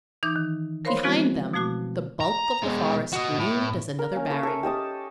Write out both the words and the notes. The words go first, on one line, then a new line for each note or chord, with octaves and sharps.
Behind them the bulk of the forest loomed as another barrier.
E3 D#4 D6 G6
D#3
A#4 C5 C#5 F5 B5 C6
F3 G#3 B3 C4 E4 F#4
B2 F3 A3 F#4 D6
A#5
B2 G#3
F#4 D#5
A2
A#4
A#3 C#4
A4 E5 C#6
A4 A#4
G4 D#5 A5 D#6